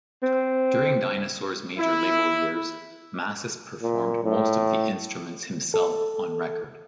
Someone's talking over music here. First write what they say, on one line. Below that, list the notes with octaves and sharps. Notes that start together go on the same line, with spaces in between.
During Dinosaur's major label years, Mascis performed most of the instruments himself on record.
C4
E4
A#2
A2
A4